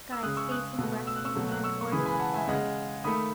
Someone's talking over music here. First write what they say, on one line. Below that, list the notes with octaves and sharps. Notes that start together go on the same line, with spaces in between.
Guy's face and grasping hand were the reply.
E6
C#3 G#3 D#6 F#6
C#6 E6
D#6 F#6
B2 A3
E6
F#6
C#6 E6
B2 F#3 A3
F#6
C#6 E6
C#6
C#3 E3 G#3 B5 D#6
G#5 B5
F#5 A5
E5 G#5
C#3 G#3 D#5 F#5
D#3 A3 B5 D#6